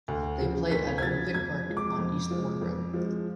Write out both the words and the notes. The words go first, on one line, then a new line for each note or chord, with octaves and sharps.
They play at Olympic Park on Eastbourne Road.
D2
C#3 F3
D2 B6
G#6
C#3 F3 A6
F2 G#6
F3 G#3
D6
F2
F3 G#3
F2
F3 G#3